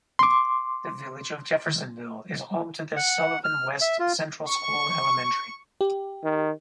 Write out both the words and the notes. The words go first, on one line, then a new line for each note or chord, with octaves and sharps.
The Village of Jeffersonville is home to the Sullivan West Central School elementary.
C6 D6
F#5
F6
E5
F4
C#6
G4
D#3